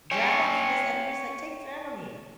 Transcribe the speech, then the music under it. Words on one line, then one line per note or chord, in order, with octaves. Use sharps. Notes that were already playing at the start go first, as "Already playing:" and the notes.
Dramamine does everybody's like, "Take Dramamine."
C#5 G5 G#5